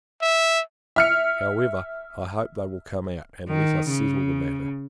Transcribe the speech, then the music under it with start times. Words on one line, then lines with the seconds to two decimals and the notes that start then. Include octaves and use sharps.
However, I hope they will come out, and let us settle the matter.
0.22 E5
0.96 E5 F6 C#7
3.49 D#3
3.89 C#3